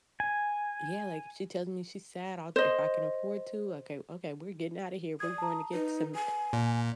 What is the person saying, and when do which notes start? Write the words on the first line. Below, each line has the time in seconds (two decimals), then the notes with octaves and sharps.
Yeah like, if she tells me she's sad, I'll if I can afford to, like, I "Okay, okay, we're getting outta here. We're going to get some
0.20 G#5
2.56 C5 D#5
5.20 D5 D#6 G#6
5.38 A5 A#5
5.73 D#4 B4
6.15 G#5
6.53 A#2